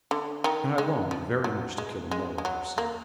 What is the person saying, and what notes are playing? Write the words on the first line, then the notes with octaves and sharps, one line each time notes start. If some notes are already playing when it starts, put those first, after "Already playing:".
And I longed very much to kill a Morlock or so.
D3
D#3
G#3
F3
F#3
G#3
G#3
G#3
F#3
A#3